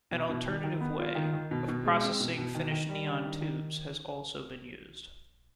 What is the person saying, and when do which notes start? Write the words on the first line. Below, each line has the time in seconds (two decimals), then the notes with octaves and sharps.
An alternative way of processing finished neon tubes has also been used.
0.11 B2
0.29 B2
0.46 D#3
0.64 D#3
0.80 B3
0.99 F4
1.15 D#3
1.33 D#3
1.51 B2
1.68 B2
1.85 G#3
2.03 C4
2.20 B2
2.38 B2
2.55 D#3
2.72 D#3
2.89 G3
3.07 D4
3.25 D#3
3.41 D#3